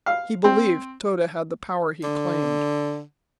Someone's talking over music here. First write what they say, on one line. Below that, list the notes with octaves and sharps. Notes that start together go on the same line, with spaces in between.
He believed Tode had the power he claimed.
F5
C4
D3